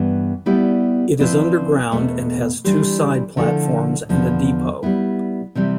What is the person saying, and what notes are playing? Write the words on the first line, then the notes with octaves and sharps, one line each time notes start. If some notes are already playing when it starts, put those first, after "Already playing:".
It is underground and has two side platforms, and a depot.
Already playing: G2 E3 B3
G3 B3 E4 G4 D5
F3 C4 E4 B4 D5
E2 B2 A3
E3 G3 D4 G4 C5
D3 F3 A3 E4 A4
E2 D3 F3 B3
G3 B3 E4
C3 E3 G3 C4